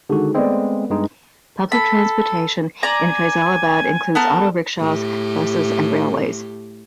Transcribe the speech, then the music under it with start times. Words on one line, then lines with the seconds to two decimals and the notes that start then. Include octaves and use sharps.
Public transportation in Faisalabad includes auto-rickshaws, buses and railways.
0.10 D3 D#3 G#3 F#4
0.35 G#3 A3 B3 C4 D5
0.90 G2 G#3 D#4
1.72 A4 B5
2.83 D5 G#5 A#5
4.15 B3 A4 A#4
4.80 A2 G4